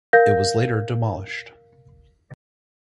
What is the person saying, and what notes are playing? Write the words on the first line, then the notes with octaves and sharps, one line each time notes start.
It was later demolished.
A#4 F5 G6 A#6